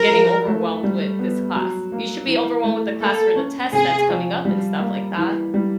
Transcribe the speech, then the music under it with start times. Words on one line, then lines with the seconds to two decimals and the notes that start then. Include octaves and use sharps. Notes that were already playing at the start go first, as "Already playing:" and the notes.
getting overwhelmed with this class. You should be overwhelmed with the class for the test that's coming up, and stuff like that.
Already playing: F#3 A#4
0.11 F3
0.47 A3
0.83 G3
1.19 B3
1.56 F#3
1.92 A#3
2.27 E3
2.64 A3
3.00 A#3 A4
3.36 C#4
3.73 C3 G#4
4.09 F3
4.45 G3
4.80 A#3
5.17 E3
5.54 G3